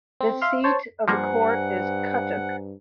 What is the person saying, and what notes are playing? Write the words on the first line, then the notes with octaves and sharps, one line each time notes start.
The seat of the court is Cuttack.
C4
E5 F5 C6 F6
C5 C#5 A5
G2 F3 G3 A#3 C5 F#5 G#5 A#5